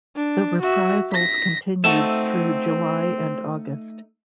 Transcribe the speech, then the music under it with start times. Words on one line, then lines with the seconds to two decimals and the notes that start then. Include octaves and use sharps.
The reprisals continued through July and August.
0.16 D4
0.61 F#4 E5
1.12 A#6 B6
1.84 A3 C4 D#4 F#4 A4 E5 E7